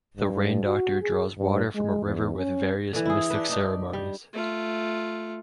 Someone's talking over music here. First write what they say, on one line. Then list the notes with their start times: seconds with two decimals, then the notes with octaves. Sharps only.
The rain-doctor draws water from a river with various mystic ceremonies.
0.17 G2
0.65 F#4
1.02 G#4
1.38 G2
1.74 G#3
2.04 E2
2.37 C#4
2.93 D3 E3
3.05 E4 G#4
3.30 D4 B4
3.49 D4 D#4
3.93 G3
4.33 A3 F4